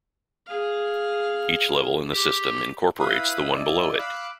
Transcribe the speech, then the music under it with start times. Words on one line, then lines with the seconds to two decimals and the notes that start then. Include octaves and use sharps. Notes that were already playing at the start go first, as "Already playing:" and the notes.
Each level in the system incorporates the one below it.
0.47 G#4 F5
2.11 G4
2.99 E4 B4 F5 B5 D#6
3.51 E4 D5 D#5
3.98 F5 B5 D6 E6 F#6